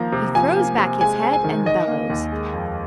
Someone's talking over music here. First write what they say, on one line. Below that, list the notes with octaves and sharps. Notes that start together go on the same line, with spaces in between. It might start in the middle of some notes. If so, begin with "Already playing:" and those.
He throws back his head and bellows.
Already playing: D#3 F3 A#3 A#5
C3
F3 G#5
A#3
C3
G#3 G#5
C4
G#5
D#3
D#3 D#5
A#3
D#2
G#3
F2